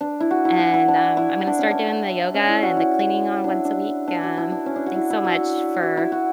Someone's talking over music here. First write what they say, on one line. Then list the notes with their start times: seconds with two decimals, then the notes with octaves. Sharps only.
and, um, I'm gonna start doing the yoga and the cleaning on once a week, um, thanks so much for
0.01 D4
0.20 E4
0.31 F#4
0.45 E4
0.59 F#4
0.74 E4
0.88 D4
1.17 E4
1.47 D4
1.59 C#4
1.71 D4
2.34 C#4
2.48 E4
2.63 F#4
2.77 E4
3.44 D4
3.50 E4
3.65 D4
4.08 D4
4.23 F#4
4.37 E4
4.52 D4
4.66 C#4
4.76 D4
4.86 F#4
4.96 E4
5.10 E4
5.24 F#4
5.83 F#4
5.97 E4
6.12 F#4